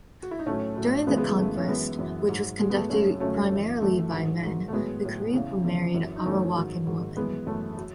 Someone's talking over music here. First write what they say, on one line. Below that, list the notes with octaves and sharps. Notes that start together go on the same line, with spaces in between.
During the conquest, which was conducted primarily by men, the Carib married Arawakan women.
F#4
E4
D#4
A2 F#3 A3 C#4
A2 F#3
F#2 C#3 E3 G#3 B3
G#3 B3
G#3
F#2 C#3 E3 A3
C#4
F#2 E3 G#3 B3
F#2 E3
G#2 F#3
G#2 F#3 G#3
B3
A3
F#2 C#3 F#3 A3 C#4
F#2 C#3 F#3 A3 C#4
F#2 E3
F#2 E3 A3
G#2 D#3 F#3
G#2 D#3 F#3
A3
A2 F#3 G#3 B3
A2 F#3
E2 C#3 E3
E2 C#3 E3
F#2 E3
D#4
F#2 E3 A3 C#4
G#2 D#3 F#3
G#2 D#3 F#3
F#2 E3 G#3 B3
F#2 E3 A3
F#3